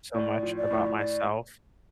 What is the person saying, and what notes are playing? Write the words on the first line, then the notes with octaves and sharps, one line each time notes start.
so much about myself
A2 D5
F3
D5
A2
D5